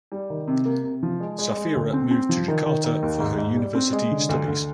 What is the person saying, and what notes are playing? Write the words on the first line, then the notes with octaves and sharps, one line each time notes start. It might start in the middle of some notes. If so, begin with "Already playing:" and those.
Safira moved to Jakarta for her University studies.
G3
D#3
C3
A#3
C3
F3
G#3
G#3
G#3
D2
C4
C4
F3
D#3
D#3
D#3
D#2
G#2
G#2
G3
C4
G#3
D3
D2
D2